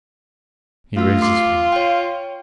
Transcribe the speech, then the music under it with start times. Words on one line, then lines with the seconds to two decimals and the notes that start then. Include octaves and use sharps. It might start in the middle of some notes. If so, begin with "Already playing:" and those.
He raised his finger.
0.97 A3 F4 F5 E6
1.22 C6 D6 C7
1.72 C#5 G5